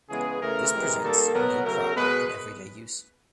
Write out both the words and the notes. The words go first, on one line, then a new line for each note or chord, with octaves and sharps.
This presents no problem in everyday use.
C#3 E3 G#3 B3 G#4
C#3 E3 A3 A#4
C3 E3 G#3
D#3 G3 A#3 A4
B2 F#3 B3 A#4
C#3 F#3 A3 A#4
B2 G#3 B3 B4